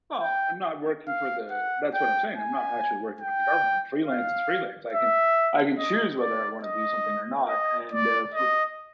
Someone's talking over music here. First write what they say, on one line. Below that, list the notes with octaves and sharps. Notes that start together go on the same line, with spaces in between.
well, I'm not working for the that's what I'm saying. I'm not actually working with the government, freelance is freelance. I can I can choose whether I wanna do something or not and, uh, for
G5
F5
F#5
G5
G#5
G5
F5
E5
D#5
D5
D#5
D#5
D5
D#5